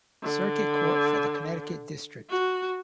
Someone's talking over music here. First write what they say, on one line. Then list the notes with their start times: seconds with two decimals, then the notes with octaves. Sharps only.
Circuit Court for the Connecticut District.
0.23 D3
2.30 F#4